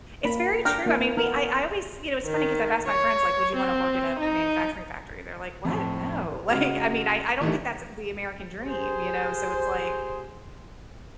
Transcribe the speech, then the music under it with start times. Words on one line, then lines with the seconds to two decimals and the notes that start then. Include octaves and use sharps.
It's very true. I mean, we I I always you know, it's funny 'cause I've asked my friends, like, "Would you want to work in a manufacturing factory?" They're like, "What, no," like, I mean, I I don't think that's the American dream, you know, so it's like
0.25 A#3 B5
0.65 D4 G5 A#5 F6
0.86 A#3 E4
1.17 B3 A#4
2.26 D#3
2.88 C#5
3.56 C4
4.20 D#4
5.65 F2 A2
6.49 C#3 G#3 F#4 F6
7.41 D#3 E3 G3 A3 D4 D#4
8.61 G4 G#4 C5